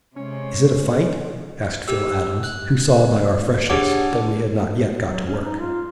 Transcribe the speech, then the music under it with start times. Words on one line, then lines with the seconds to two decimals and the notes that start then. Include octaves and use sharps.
"Is it a fight?" asked Phil Adams, who saw by our freshness that we had not yet got to work.
0.16 C3 G#3 C#4 C#5
1.88 G4 E6
2.44 F#6
3.70 D4 G4 G#4 C#5 F#5 D6
5.08 F#3
5.26 C#4
5.44 D#4
5.59 F4